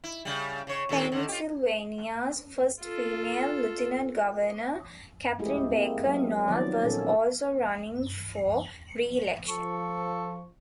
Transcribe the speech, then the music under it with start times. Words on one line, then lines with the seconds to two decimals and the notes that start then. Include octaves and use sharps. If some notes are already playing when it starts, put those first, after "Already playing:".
Pennsylvania's first female Lieutenant Governor, Catherine Baker Knoll was also running for re-election.
0.04 E4
0.25 C#3 G3
0.67 C#3 C#5
0.89 D#2 A#2 A4
1.12 D3 D#3
1.29 F4 G4
2.81 F4 A4
5.39 G#3 A3 E4 G4 G#4
5.70 A#3 C4 G#4
6.07 F#3
6.48 D#3 F3 F#3 B3 D5
6.84 A#2 C#4 A4
9.48 F3 A4 C#6